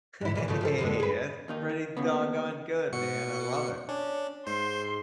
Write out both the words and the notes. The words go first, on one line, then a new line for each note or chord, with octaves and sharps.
Hey, that's pretty doggone good, man, I love it,
G#2 E4
A#2 E3
C#3 F3 A3
F3 G4 A4
F2 D3 G#3
G#4 B4
D#2 D#3 D#4
D#3
D#2 C#3 B3
B2 F#4 C#7
C#4 D4
G#2 C5 C6